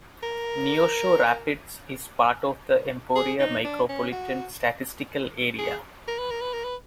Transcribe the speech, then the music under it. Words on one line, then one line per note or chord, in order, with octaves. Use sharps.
Neosho Rapids is part of the Emporia Micropolitan Statistical Area.
A#4
G#4
D#4
D4
C#4
F#4
G#4
A#4
B4
A#4
B4
A#4
B4